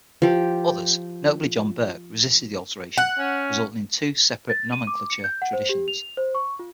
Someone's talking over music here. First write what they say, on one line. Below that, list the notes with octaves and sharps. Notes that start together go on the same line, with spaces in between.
Others, notably John Burke, resisted the alteration, resulting in two separate nomenclature traditions.
F3 G4
F#5
C#4
A6
D#7
D6
C#7
G6
F#5
C5
G4
F7
C5
C#6
F4